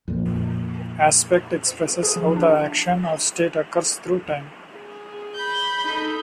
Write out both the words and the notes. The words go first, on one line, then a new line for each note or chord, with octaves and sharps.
Aspect expresses how the action or state occurs through time.
F2 A#2
G#4
F3
D4
G#4
B5 G6
D#4 A4